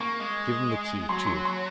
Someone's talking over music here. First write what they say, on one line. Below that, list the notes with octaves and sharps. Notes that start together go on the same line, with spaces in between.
Give him the key too.
A#3 C#6
G#3
F#3 C6
C6
C6